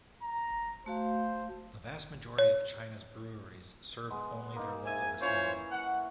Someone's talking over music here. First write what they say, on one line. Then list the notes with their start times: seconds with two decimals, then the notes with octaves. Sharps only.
The vast majority of China's breweries serve only their local vicinity.
0.23 A#5
0.86 A3 F#4 C5 F5
2.39 C#5
4.10 G#3 B3
4.56 A#3 D#4
4.86 G#2 E5 G#5
5.21 E3 C#4 F4 C5 C#5
5.71 F#5